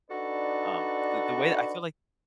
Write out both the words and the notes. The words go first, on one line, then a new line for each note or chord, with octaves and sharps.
um, the the way I feel like,
D4 D#4 F#4 A4 B4 D5